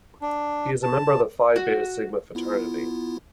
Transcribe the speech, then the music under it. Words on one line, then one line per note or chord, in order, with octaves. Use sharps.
He is a member of the Phi Beta Sigma fraternity.
D4
A5
F#4
B3 E4 F4